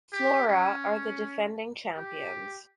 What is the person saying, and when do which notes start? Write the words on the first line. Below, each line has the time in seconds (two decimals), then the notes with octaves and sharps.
Flora are the defending champions.
0.12 G4
0.48 C#4
1.96 G4